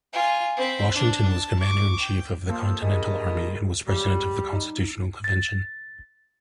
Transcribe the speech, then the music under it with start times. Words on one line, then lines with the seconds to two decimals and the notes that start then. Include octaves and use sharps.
Washington was Commander-in-Chief of the Continental Army and was President of the Constitutional Convention.
0.13 F4 G#5
0.57 C4 B5
0.95 D4
1.28 A5
1.60 C#6 D6
2.01 G5
2.49 F3 A#3 A4
2.82 G2 A#2 G#4 D#5
3.87 C#2 G3
4.52 D#4
5.24 A6